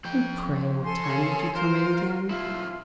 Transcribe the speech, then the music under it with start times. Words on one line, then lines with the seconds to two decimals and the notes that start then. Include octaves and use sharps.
"And pray what time did you come in again?"
0.05 F3 G5
0.84 A4 G#5 C6
1.05 C#5 F5
1.55 F4 A#4 C5
2.30 B1 E4 F4